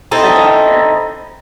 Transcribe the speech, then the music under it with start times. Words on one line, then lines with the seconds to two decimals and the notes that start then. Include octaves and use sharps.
a doctor.
0.11 C4 D#4 E4 A4